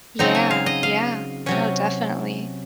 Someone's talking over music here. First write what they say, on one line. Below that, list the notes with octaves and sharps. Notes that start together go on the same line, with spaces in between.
Yeah, yeah, no, definitely.
C#3 F#3 C4 D#4 A#5
G#5
F5
D#5
F5
C3 F#3 C#4 G#5